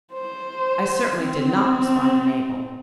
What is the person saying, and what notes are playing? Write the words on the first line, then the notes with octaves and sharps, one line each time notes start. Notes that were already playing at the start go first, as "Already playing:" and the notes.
"I certainly did not," responded Mabel.
C5
C4